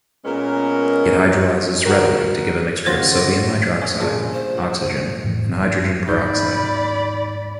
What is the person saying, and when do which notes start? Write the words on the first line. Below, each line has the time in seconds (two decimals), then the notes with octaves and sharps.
It hydrolyses readily to give a mixture of sodium hydroxide, oxygen and hydrogen peroxide.
0.25 A#2 G#3 B3 C#4 A#4
1.85 F#4 A#4
2.86 C#2 F4 F#4 C5 C#5 C6 A6 A#6
3.81 C#4
4.00 G2 A#2 C#3
4.33 C5
4.57 F#5
5.24 F2 A2 E3
5.47 G1 C4
6.08 D#2 G#2 D#4 D5 B5 G6